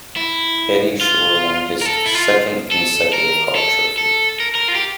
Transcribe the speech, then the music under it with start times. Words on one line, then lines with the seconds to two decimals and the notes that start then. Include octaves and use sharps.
Eddie Shore won his second consecutive Hart trophy.
0.16 E4
1.01 F4
1.82 A#4
1.86 A4
2.06 E4
2.15 F4
2.71 A4
3.13 A#4
3.56 A4
3.98 A4
4.40 A#4
4.55 A#4
4.68 F4
4.75 G4